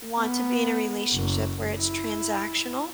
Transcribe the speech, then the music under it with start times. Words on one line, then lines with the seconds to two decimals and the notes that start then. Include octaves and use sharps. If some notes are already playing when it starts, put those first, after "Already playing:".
want to be in a relationship where it's transactional.
0.18 B3
1.13 F#1
1.78 E4